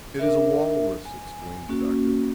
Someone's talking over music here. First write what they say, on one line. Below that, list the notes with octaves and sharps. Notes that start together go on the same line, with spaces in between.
"It is a walrus!" exclaimed the Doctor.
D4 A#4 E5
G#5
A#3 C#4 F#4